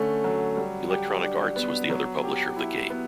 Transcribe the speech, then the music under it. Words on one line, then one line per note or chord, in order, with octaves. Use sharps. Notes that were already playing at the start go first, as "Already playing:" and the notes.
Electronic Arts was the other publisher of the game.
Already playing: D3 A3 C#4
F#3
G3
G4
D4
B3
F#3
G4
E4
B3